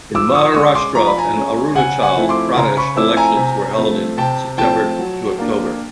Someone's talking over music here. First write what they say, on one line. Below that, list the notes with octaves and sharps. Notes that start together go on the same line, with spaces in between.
In Maharashtra and Arunachal Pradesh elections were held September-October.
F3 D6 E6
C#6 D#6
G#3 C#4 C#6 D#6
C6 D6
F3 A#5
B5
G#5 A#5
G#3 C#4
C#3 F#5 G#5
F#5 G#5
F3 A3 C4 E4
C6 D6
C#3 A#5 C6
B5 C#6
F3 A3 C4 E4 D6 E6
G#5 A#5
C3
F3 A3 C4
C3 G5 A5
F3 A3 C4 G5 A5
F#3
A#3 D4